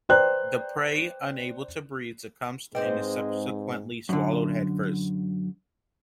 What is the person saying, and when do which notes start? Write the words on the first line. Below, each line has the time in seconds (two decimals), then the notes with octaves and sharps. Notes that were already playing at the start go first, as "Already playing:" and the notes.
The prey, unable to breathe, succumbs and is subsequently swallowed head first.
0.09 B4 C5 D5 G5 A#5 F#6
2.75 G#2 G#3 C4 B4 C5 D5 D#5 G5
4.09 F#2 D3